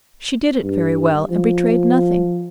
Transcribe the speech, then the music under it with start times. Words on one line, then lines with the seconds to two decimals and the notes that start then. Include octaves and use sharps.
She did it very well, and betrayed nothing.
0.63 G2
1.31 F3